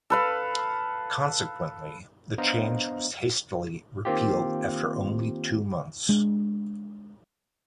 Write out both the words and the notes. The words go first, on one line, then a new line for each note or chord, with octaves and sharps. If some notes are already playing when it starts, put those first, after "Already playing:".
Consequently, the change was hastily repealed after only two months.
A4 B4 F5
B3 D4 C5 D#5 F5 A#5
D#3 A#3 C4 F4 G4
G#3 D4